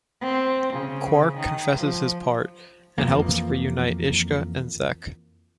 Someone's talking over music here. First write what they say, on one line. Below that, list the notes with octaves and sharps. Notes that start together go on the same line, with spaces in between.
Quark confesses his part, and helps reunite Ishka and Zek.
C4
C#3
D#3
F3
F2 E3 F3 A#3